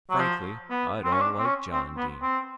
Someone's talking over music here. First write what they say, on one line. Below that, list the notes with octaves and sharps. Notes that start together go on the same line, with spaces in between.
"Frankly, I don't like John Dene."
F#3
F3
B3
C4
C#4
D4
C4
C#4
C4
B3
C4